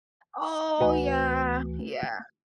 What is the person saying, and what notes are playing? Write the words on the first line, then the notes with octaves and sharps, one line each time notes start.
Oh yeah, yeah,
D2 E3 F#4 B4 G#5